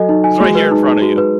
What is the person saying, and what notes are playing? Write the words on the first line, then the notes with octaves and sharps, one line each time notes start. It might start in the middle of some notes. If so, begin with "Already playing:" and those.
"It's right here in front of you.
Already playing: F#3 A4 D#5 G#5
D#4
G#5
G#3 F#4
B4
D#4
D#4
F#4
B4